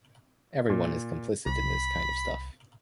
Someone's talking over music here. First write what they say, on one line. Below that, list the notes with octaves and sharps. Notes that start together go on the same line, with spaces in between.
Everyone is complicit in this kind of stuff.
A#2
C2 B5